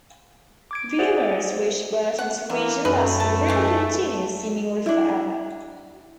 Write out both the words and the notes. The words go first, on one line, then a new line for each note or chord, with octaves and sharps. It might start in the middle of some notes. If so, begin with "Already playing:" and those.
Rumors reach Burton's region that the river continues seemingly forever.
D6 G#6 D7
G#4 C5 D5 E5 F#5
F#5
D3 E3 A#3
F#2 A3 G#4 B4 D#5
A5
E3 G#3
D4 E4